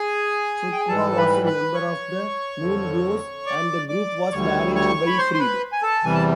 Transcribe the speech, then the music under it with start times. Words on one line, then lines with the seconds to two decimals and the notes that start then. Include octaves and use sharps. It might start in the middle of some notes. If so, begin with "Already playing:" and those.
Fuqua was a member of the Moonglows, and the group was managed by Freed.
Already playing: G#4 G#5
0.73 G5
0.80 G#5
0.88 G#2 E3 G3 A4 A5
1.17 B4 B5
1.46 B4 B5
1.74 C#5 C#6
2.60 F2 D3 F3
3.46 D5 D6
3.89 D5 D6
4.32 D2 D3 G3 C#5 C#6
4.75 C#5 C#6
5.06 B5
5.18 C5 C6
5.34 C6
5.39 B4 B5
5.73 G#5
5.82 A4 A5
6.04 E2 C3 E3 G3 G#5
6.14 A5